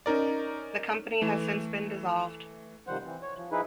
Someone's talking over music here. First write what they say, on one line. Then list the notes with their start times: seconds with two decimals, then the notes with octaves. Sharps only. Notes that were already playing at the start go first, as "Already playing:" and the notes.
The company has since been dissolved.
0.06 C#4 D#4 A#4 D5
1.22 E3 A3
2.87 C3 D#3 F3 G3 C5 F#5
3.04 E3 C4
3.22 C#5
3.37 F3
3.51 F3 D#4 E4 G#4 B4